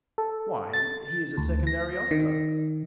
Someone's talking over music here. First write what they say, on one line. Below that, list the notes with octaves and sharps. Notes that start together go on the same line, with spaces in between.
"Why, he is a second Ariosto."
A4
A6
D2
A#6
D#3